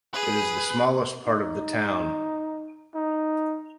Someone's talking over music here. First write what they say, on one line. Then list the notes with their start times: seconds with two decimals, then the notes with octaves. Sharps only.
It is the smallest part of the town.
0.14 G#4 B4
1.27 D#4
2.95 D#4